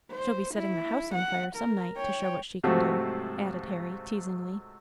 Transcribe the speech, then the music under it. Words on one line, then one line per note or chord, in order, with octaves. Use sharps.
"She'll be setting the house on fire some night, to show what she can do," added Harry, teasingly.
C5
E4
F#5
A#4
C#5 G5
G#2 C3 F3 F#3 A3 F#4